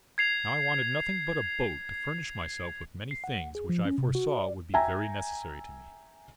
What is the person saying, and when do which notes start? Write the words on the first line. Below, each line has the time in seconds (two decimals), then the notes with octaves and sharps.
Now I wanted nothing but a boat to furnish myself with many things which I foresaw would be very necessary to me.
0.18 G#6 C7 F7
3.11 C7
3.24 F#5
3.55 G#4
3.69 F3
3.85 C#4
3.98 C3
4.15 F#4
4.37 D5
4.74 E5 G5 G#5 A#5